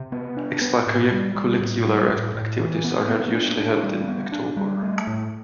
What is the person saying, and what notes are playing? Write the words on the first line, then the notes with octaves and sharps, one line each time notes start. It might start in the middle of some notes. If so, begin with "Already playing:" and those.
Extra-curricular activities are held usually held in October.
Already playing: C3
B3
D4
B3
A2
G3
G3
A2
G3
A2
A2
E3
B3
B3
D4
D4
G3
B3
D4
G3
A3
A2